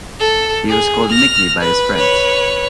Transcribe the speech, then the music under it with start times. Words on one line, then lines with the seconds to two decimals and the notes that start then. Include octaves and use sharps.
He was called Mickey by his friends.
0.20 A4
0.69 G#4
1.11 F6 A#6
1.60 B4
1.95 B4 C#5